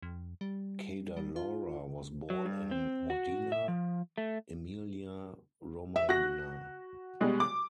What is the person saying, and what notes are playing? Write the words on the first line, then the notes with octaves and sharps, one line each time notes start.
Cadalora was born in Modena, Emilia Romagna.
F2
G3
G3
F4
F#3
G2
C4
F#4
E5
F3
A3
E5
F#4 F#6 A#6
B2 G3 G#3
D6